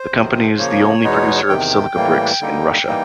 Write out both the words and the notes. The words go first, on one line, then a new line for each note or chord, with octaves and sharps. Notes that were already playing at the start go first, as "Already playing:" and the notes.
The company is the only producer of silica bricks in Russia.
Already playing: C5
F2 C3 D#3 F#3
C#3 F3 A#3 C#5
E2 B2 G#3 B3 D#4
E2 C3 D#3 G5
A2 E3 G3 A#3
D3 G3 A#3 D#4
E3 G3 A#3 D#4